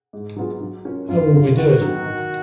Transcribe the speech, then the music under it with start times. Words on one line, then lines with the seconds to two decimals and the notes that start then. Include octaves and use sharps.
How will we do it?
0.13 G#2
0.36 F#3 B3 F4 G#4
0.60 F#3
0.85 C#4 F4 A#4
1.08 F#2 F4
1.33 C#3 F#3
1.57 D#3 F#4
1.81 F#3 B3
2.06 D#3